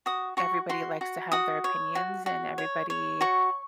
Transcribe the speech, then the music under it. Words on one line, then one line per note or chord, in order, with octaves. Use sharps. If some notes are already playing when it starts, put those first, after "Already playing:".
everybody likes to have their opinions, and everybody,
F#4 D#6
F#4 C#6
F#4 C6
F#4
F#4 D#6
C#5
F#4
F#4
C#5
C#5
F#4 C#6